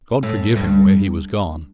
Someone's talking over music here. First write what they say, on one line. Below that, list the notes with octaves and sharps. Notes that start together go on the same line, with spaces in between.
God forgive him, where he was gone!
A2
G2